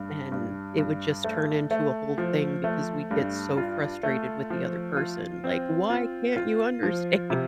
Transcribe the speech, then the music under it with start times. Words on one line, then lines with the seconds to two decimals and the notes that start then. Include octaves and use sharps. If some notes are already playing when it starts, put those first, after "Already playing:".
And it would just turn into a whole thing because we'd get so frustrated with the other person. Like, "Why can't you understand?"
Already playing: G2
0.32 G2
0.78 G2
1.24 A3
1.71 A3
2.18 F3
2.64 A3
3.11 G2
3.57 F4
4.03 A3
4.50 F3
4.97 F4
5.44 C4
5.90 F4
6.36 F4
6.83 F3
7.30 C3